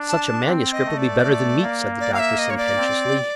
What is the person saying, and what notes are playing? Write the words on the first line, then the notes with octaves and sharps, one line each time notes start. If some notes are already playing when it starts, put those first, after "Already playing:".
"Such a manuscript'll be better than meat," said the doctor, sententiously.
Already playing: D4
A5
C4
D#5
A3
D5
A3
A#3
D5
F5
E5
D#5
C#5
D5
C4